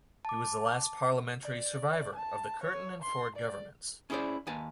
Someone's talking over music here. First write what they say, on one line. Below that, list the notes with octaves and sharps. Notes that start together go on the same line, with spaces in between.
He was the last parliamentary survivor of the Curtin and Forde governments.
A5 D6
D5
A5
C#5
C6
D5
C#4 E4 G#4 C5 D5
D#2 B4 G#5 A5